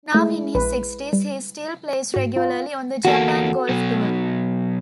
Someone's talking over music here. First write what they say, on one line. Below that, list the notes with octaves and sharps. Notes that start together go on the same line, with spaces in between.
Now in his sixties, he still plays regularly on the Japan Golf Tour.
G#3 A3 E4
A#1 B4
G3
G#2 F#4
F4
E2 A#3 F#4 A4
B2 F#3